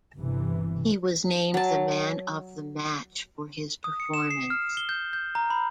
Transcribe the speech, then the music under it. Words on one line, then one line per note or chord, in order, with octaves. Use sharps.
He was named the Man of the Match for his performance.
G1 C3 E3
F#3 A5
D#6
C#7
E7
C7
F6
G7
G6
G6
A#5
B5